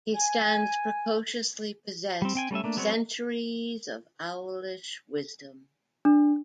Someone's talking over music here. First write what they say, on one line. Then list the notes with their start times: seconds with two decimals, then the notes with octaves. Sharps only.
He stands precociously possessed of centuries of owlish wisdom.
0.13 G#5
2.22 G3 C4
2.35 C4 G5 G#5
2.51 G3 A3 C#4 E5
2.64 A3 A#3 D4
2.77 F#3 G#3 B3 C4 C#5
6.05 D4